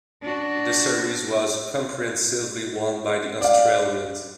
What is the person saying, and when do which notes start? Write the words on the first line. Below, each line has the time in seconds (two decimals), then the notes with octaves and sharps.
The series was comprehensively won by the Australians.
0.22 D4 F#4
3.41 D5 F5